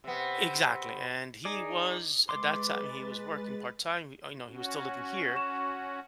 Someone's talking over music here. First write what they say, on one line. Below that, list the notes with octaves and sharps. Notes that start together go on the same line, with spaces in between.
Exactly, and he was at that time, he was working part-time. Y oh, no, he was still living here,
C3 B3
D#4 G#4 D5
G#3 B4 C6 D6 A6
C#4 F#4
C#6 E7